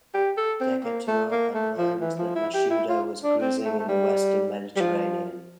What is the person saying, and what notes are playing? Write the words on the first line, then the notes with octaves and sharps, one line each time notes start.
Decatur had learned that Mashuda was cruising in the western Mediterranean.
G4
A4
C4
A#3
A3
A#3
A3
F3
E3
F3
E4
G4
E4
F4
D4
C4
A3
A3
G3
G3
F3